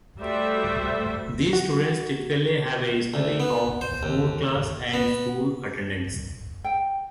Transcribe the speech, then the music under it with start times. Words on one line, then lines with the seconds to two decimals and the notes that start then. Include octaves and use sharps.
These students typically have a history of poor class and school attendance.
0.19 G3 A3 F#4 C5 E5
1.53 F#4
3.14 D2
3.40 B3
3.81 C5
4.03 D#2
4.94 B3
6.64 G5